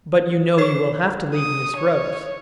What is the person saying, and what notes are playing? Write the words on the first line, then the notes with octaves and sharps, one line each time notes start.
"But you know you will have to leave Miss Rose."
A4 C#5 C#6 C7 E7
D#6
C#5